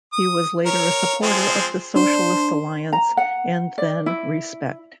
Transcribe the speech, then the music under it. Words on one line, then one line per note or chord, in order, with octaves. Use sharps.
He was later a supporter of the Socialist Alliance and then Respect.
D#6
A#4 C#5
F3 G#3 C4
D4 C5
A#5
F#5
D5
E4